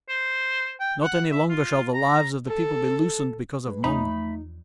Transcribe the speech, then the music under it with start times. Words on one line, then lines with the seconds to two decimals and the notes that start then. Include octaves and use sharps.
Not any longer shall the lives of the People be loosened because of Mung.
0.09 C5
0.80 G5
1.03 F#5
1.31 E5
1.49 F4
1.94 A#5
2.48 A4
3.67 G#3 B4
3.84 E2 F3 A3 D#4 B5